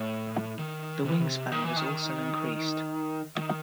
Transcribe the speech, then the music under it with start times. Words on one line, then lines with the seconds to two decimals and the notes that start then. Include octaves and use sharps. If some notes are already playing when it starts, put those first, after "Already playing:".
The wingspan was also increased.
Already playing: A2
0.59 D#3
1.05 C3
1.12 D#3
1.20 C3
1.52 D#3
1.64 E3
1.76 D#3
3.37 D#3